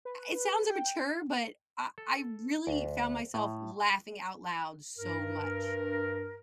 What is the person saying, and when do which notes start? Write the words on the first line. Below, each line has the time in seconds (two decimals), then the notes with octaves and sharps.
It sounds immature, but I I really found myself laughing out loud so much.
0.05 B4
0.35 B4
0.70 G5
1.98 A4
2.67 D2
3.34 A2
4.99 G2 A#4